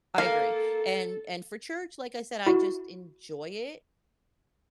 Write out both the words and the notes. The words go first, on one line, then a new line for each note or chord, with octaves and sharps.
I agree. And and for church, like I said, I just enjoy it
A#3 A4 F5
E4 F#4